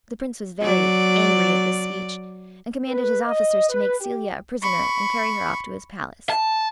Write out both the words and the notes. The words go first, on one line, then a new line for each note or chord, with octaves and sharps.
The Prince was very angry at this speech, and commanded his officers to make Celia a prisoner and carry her off to his palace.
F#3 D5
B4
D#5
B4
G4
B5 C#6
A5